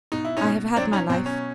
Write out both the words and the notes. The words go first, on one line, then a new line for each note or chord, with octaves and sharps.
I have had my life.
B2 D#4
E4
C#4 D#4
B2
F#3 C4 D4
C#4 D#4
B2 C4
C#4